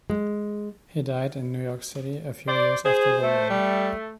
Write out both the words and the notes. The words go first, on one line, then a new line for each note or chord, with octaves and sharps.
He died in New York City a few years after the war.
G#3
C5 D5
G#4 C5
A3
G3